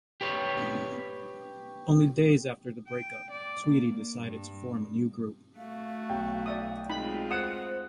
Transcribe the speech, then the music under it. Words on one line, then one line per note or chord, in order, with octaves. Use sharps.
Only days after the breakup, Tweedy decided to form a new group.
G4 B4 C#5
G5
D5
A#3
G2
A3 F#4 F5
B1 G5
D5 E5 D#6
G#3 C4 D#4 F4 B5
C5 F#5 D#6 F#6 C#7 E7